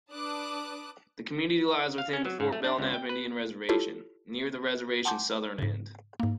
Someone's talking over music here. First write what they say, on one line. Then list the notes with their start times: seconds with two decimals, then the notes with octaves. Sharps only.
The community lies within the Fort Belknap Indian Reservation, near the reservation's southern end.
0.11 D4 B4 A5 D6 D#6 F#6
1.98 F5
2.13 C#4
2.25 F#3
2.40 G#2
2.53 A3
2.64 D4
2.79 C#2
2.94 G5
3.09 B4
3.69 E4 F4 G4 A4 C#5 A5
5.05 F#5 G#5 A5 C6 D6 G6
5.59 G#2 C#3
6.20 G#2 A#3